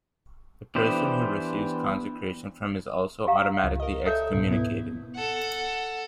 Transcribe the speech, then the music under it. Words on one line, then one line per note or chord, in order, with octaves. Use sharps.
The person who receives consecration from him is also automatically excommunicated.
E3 B3 D4 G4 C5
G4 F5 A#5
C#2
A#4 D#5
A4 A#4 C#5 E5
C#2 G#2 B2
B2 B3 E4
A4 F#5